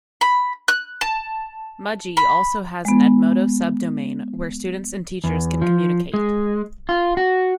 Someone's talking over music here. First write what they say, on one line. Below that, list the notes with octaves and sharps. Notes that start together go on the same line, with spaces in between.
Mudgee also has an Edmodo subdomain where students and teachers can communicate.
B5
F#6
A5
B5
G#3 B3
E2
F3
G#3
F4
F#4